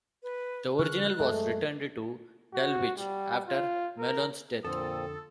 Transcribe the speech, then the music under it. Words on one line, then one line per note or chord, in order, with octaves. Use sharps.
The original was returned to Dulwich after Malone's death.
B4
C#3 E3 F3 G#4 C#6 F6 F#6
F#2 G#3 A3 G#4 D#5
F#4
G3
F4
A#4
F2 A#2 D3 C4 A4 D#6